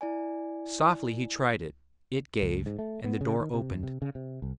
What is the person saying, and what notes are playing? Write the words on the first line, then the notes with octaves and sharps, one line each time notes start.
Softly he tried it; it gave, and the door opened.
E4 D5 G#5
C#2
G#2
A3
B3
C#3
D#3
C3
F#2
C3
C#3
C3
C2